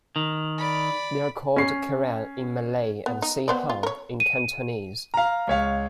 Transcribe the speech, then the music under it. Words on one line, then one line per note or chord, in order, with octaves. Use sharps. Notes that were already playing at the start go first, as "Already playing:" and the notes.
They are called "kerang" in Malay and "see hum" in Cantonese.
D#3
D5 B5
C#4 C7
B3
D#4
B3 C5 D5
F4
A#4 C#5
D#7
F5 A#5
C#2 C#5 F5